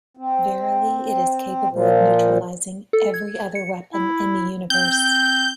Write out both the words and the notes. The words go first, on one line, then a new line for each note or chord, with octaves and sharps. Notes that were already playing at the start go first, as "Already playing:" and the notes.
Verily, it is capable of neutralizing every other weapon in the universe.
C4
A#2 F3
A4
G#6
C#7
E4
C4 G6